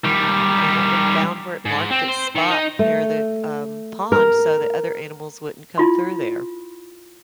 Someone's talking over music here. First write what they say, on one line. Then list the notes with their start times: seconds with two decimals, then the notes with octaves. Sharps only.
I even found where it marked its spot near the, um, pond so that other animals wouldn't come through there.
0.05 D#3 G3
1.65 G#2
1.91 C4
2.08 C5
2.36 D#3
2.51 D#4
2.79 A3
4.12 A#4
5.78 E4 F4 C6